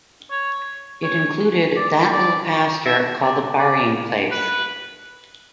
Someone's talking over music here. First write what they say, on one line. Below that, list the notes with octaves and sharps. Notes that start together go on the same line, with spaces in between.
It included "that little pasture called the burying place".
C#5
C#5
D5
D5
E5
D5
D5
B4